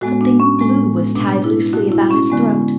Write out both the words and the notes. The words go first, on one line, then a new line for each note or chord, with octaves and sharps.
Something blue was tied loosely about his throat.
A2 G#3 B3 F#4
D4
C#4
A2 G#3 B3
B2 A3 D4
E4
B2 A3 F#4
E4
C#4
D3 G#3 B3